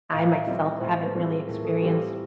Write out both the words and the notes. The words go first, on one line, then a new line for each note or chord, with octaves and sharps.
I, myself haven't really experienced
A2 F5
E5
E3 G3 C4 F4 D#5
E5
A2 C5
B4
E3 G3 C4 F4
G#4
A2 A#4
A4
E3 G3 C4 F4 G4
G4